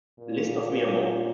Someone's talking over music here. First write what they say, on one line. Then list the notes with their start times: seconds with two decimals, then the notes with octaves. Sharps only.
List of Mirmo!
0.19 A#2